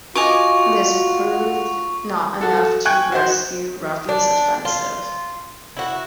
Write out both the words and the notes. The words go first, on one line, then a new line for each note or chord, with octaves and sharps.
This proved not enough to rescue Ruffey's offensive.
F4 F#4 D#5 G#5 C#6 D6 F7
F#4 A4
G5 G#5 C#6 F#6 G#6
F#4 C5
D4
F4
E4 F#4